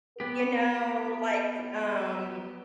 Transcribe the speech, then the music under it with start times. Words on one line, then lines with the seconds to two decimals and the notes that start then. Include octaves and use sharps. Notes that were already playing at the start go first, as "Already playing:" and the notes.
you know, like, um,
0.20 B3 G4